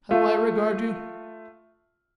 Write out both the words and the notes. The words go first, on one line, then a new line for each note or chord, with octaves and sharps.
How do I regard you?
A3 F4